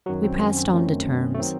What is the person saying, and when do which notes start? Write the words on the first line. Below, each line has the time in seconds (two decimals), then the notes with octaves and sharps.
We passed on to terms.
0.06 F#2 D#3 F#3 F#4
0.24 C4
0.46 C#4
0.56 C4
0.73 F#2 D#3 F#3 A3
1.34 A3
1.39 D#3 F#3 C4